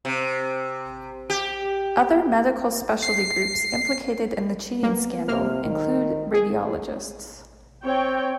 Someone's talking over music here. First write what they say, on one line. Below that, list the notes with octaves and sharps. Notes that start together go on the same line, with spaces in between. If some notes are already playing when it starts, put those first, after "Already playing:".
Other medical specialty groups implicated in the cheating scandal include radiologists.
C3
G4
C7
A#3 B3
C3 A#3 F6
D#3
G#4
C4 C#5 G5